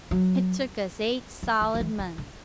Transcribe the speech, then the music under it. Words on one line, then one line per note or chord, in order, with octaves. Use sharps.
It took us eight solid months.
F#3
F3
D#3
F3
E3
D#3
D3